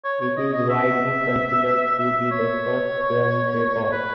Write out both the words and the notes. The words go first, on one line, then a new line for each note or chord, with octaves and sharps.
It is widely considered to be the first grunge record.
C#5
C#5
D#5
D#5
E5
E5
C#5
B4